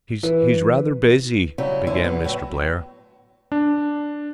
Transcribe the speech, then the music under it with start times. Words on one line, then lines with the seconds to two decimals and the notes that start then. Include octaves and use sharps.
"He's--he's rather busy," began Mr. Blair.
0.23 E3 B4
1.58 C#3 F#3 G3 C#4 E4 G4
1.87 E2 D3 E4 G#5
2.04 B3
2.24 A2 F#3 F#4
3.52 D4